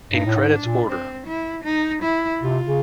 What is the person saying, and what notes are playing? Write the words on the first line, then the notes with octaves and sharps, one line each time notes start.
In credits order.
G2 D#4
A2
G#2
D4
A#2
C4
E4
D#4
E4
C3 F4
C#3